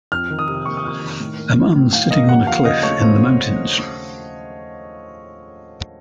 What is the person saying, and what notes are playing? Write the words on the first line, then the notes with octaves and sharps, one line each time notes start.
A man sitting on a cliff in the mountains.
F2 F6
D#3
D#6
C3
A#3 C#6
D#6
F2 C#6
D#3
A2
A#3
F#3
A2
A2 F5
A#3 D#5
D#2 F#5
F3 F5
C#3 D#5
A3 C#5
D#2 C5